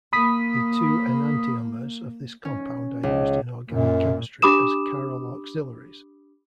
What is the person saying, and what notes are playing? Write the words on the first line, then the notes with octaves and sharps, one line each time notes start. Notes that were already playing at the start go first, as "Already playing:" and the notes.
The two enantiomers of this compound are used in organic chemistry as chiral auxiliaries.
A#3 B5 D#6 B6
C#4
C#2
F#2 A#2
D4 G4 B5 D6 D#6 E7